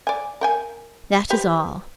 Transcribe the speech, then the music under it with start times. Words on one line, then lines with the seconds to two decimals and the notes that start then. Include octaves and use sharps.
That is all.
0.07 D5 G#5
0.41 A#4 G5 G#5
1.30 G4 B4 C5